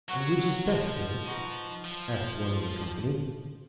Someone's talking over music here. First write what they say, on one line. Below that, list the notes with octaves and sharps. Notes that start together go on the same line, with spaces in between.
"And which is best, Billy?" asked one of the company.
F#3 F#4 C#5 F#5
F3
D#4 F#4 B4
F3